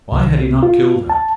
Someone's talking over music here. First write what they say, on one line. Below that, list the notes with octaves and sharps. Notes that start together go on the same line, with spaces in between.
Why had he not killed her?
C2
F4
A5